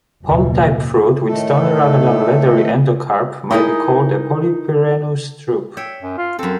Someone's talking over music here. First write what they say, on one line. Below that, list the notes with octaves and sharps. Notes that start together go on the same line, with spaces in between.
Pome-type fruit with stony rather than leathery endocarp may be called a polypyrenous drupe.
F#1 D#2 B2
A2 D#3 A3 A4
D#4 E4 G#4 A#4
C#5 E5 G5
F#2
F4
F#2 C4 A4